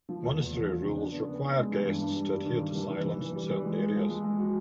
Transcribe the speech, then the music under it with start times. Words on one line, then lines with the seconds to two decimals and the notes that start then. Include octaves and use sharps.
Monastery rules require guests to adhere to silence in certain areas.
0.09 F3
0.23 E2
0.38 E2
0.53 E2
0.68 F3
0.82 C#3
0.97 D4
1.12 B3
1.27 B3
1.42 B3
1.57 G#3
1.72 E3
1.86 G2
2.01 G2
2.16 G3
2.32 G2
2.46 D#3
2.61 G3
2.75 E3
2.90 E3
3.05 E3
3.20 E3
3.35 G3
3.50 E3
3.65 G#3
3.80 G#3
3.95 F3
4.09 G#3
4.24 G#3
4.39 F#4